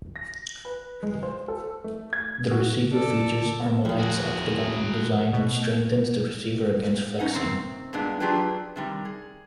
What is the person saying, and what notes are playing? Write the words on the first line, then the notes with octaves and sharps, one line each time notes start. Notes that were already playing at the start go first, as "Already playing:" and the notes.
The receiver features Armalite's octagonal design, which strengthens the receiver against flexing.
A#6
B4
G#3
C5
A4
A3
G#6
F#4
A4 D5
D#2 D#3 F3
F#4 G#4
B2
C#4 D#4 D#5 F#5
C3 D#3 C4
G2 A#2 G#3 B3 D4 D#4
F#3 D4 F4 G4 G#4 B4
C3 D#3 G3
G#4